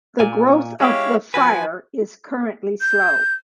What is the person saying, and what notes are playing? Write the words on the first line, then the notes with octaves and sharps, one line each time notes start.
The growth of the fire is currently slow.
A#2 G#5
G#3 E4 G4 C#5 F5
F3 F#4 B4 G#5
G6